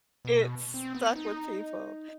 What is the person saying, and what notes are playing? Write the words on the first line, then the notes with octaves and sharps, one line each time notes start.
It stuck with people.
B2
C4
B3
D#4